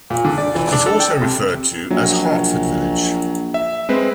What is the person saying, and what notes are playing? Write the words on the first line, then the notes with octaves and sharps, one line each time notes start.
It also referred to as Hartford Village.
A#2
D3
D5
E3
D4
A4
G5
C3
A#1 F#3
E5
G#3 C4 B4